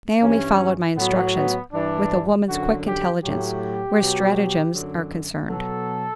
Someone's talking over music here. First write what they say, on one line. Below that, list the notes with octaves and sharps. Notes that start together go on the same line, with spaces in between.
Naomi followed my instructions with a woman's quick intelligence where stratagems are concerned.
G2 E3 C#4
A2 F#3 B3
B3
G2 E3 D4
F#2 D3 F#3 F#4
G4
A2 F#3 G4
B2 F#3
F#2 D3 F#3
B2 F#3 A4